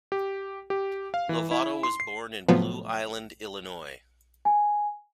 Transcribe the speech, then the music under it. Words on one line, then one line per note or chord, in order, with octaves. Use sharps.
Lovato was born in Blue Island, Illinois.
G4
G4
F5
E3
E4
C6
C7
A2 C3 F3 F#3 B3
G#5